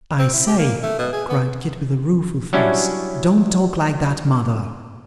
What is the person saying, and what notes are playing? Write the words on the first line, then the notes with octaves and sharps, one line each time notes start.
'I say,' cried Kit with a rueful face, 'don't talk like that, mother.'
C4
E4
G4
A#3
A3
B2
G#4
B3
F#3 G3 C#4 D4 E4